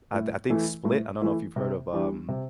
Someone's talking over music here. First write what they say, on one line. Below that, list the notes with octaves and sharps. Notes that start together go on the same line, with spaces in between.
I thi I think Split I don't know if you've heard of, um,
A2
E3 A3 E4
A2
E3 A3 E4
C3
E3 G3 D4 G4
C3